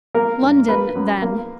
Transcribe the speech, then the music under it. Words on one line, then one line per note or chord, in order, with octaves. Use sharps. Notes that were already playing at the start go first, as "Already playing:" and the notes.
"London, then."
A#3 A#4
G2
A#3 B4
F#2
A#3